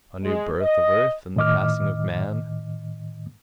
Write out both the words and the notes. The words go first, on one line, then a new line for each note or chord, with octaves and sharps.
A new birth of Earth and the passing of man?
G#3
D#5
A2 D#3 D#5 D6 F6